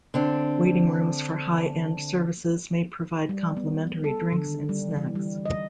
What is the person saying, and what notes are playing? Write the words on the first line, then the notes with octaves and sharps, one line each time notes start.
Waiting rooms for high-end services may provide complimentary drinks and snacks.
D3 C4 D4
G3
B3
A4
D3
D#3
G3
E3
G3
D#5